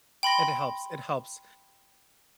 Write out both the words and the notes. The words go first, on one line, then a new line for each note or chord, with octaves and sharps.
it helps it helps
G5 B5 C6 A#6